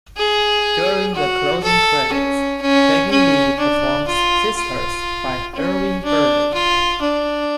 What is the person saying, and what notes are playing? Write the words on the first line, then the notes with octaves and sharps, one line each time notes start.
During the closing credits, Peggy Lee performs "Sisters" by Irving Berlin.
G#4
F#4
A4
C#4
C#4
C#4
D4
F4
F4
C#4
D4
F4
D4